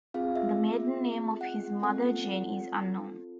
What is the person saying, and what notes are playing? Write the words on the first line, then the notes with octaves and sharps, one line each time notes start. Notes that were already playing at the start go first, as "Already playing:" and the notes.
The maiden name of his mother Jane is unknown.
C4 F4 G#4 F5
E5
F#5
C4 F4 A4 F#5